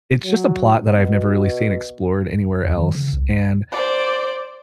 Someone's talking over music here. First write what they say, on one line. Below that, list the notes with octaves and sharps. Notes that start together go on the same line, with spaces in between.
it's just a plot that I've never really seen explored anywhere else and
F#3
B2
E2
D#3
C#3
C2
C5 D5